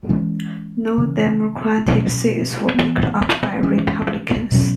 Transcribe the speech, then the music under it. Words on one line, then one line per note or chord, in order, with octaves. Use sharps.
No Democratic seats were picked up by Republicans.
E3 G#3 C#4
C#3 E3 C#4
B2 F#3 C#4
B3
E3
E3 G#3 C#4
B2 F#3 C#4